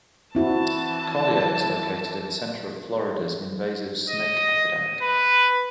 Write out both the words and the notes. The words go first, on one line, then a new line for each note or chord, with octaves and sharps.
Collier is located in the center of Florida's invasive snake epidemic.
E3 C4 E4 F#4 A5
D#5
B4